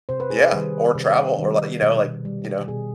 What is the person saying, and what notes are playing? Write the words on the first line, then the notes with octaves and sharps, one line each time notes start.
yeah, or travel, or like you know, like you know,
C3 C5
B4
G#4
B4
D#3 G3
C3
D#3 G3
B2
G3
B2 G#4